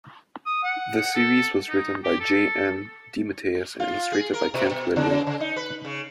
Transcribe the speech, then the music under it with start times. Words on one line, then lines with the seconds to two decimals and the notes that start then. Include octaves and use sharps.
The series was written by J. M. DeMatteis and illustrated by Kent Williams.
0.46 D#6
0.63 F#5
1.15 A4
1.70 D#4
2.04 G4
2.20 A4
3.80 F4
4.12 G#4
4.34 A#4
4.54 B2
4.71 B2
4.96 C#3
5.27 C#3
5.40 D#4
5.56 B4
5.85 C#3